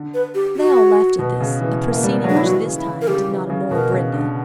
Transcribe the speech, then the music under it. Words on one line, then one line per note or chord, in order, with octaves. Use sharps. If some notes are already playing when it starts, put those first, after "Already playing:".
They all laughed at this, a proceeding which this time did not annoy Brenda.
Already playing: D3
B4
G4
F#4
B2
C#3
E3
A#3
G3
G3
F#3 D4
E4
F#3
E3 F#4
C#3
E4
C#3
A#4
C#3 G4
E3
C#3
B2 A#4
C#3
D3